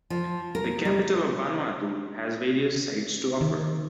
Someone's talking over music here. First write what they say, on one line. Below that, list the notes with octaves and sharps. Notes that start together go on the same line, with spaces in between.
The capital of Vanuatu has various sights to offer.
F3
A#4
G3
D#3